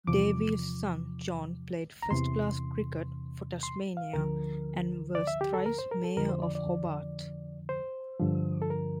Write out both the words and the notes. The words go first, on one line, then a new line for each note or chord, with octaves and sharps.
Davies' son John played first-class cricket for Tasmania and was thrice Mayor of Hobart.
E2 C3 F3 D6
A#5
E2 C3 E3 C6
C6
F5
D2 D3 F3 A#4
D5
E5
G4
A4
A#4
C5
A#4
A4
F2 D3 F3 A#4
C5
D5
D5
C5
G2 D3 F3
A4
A#4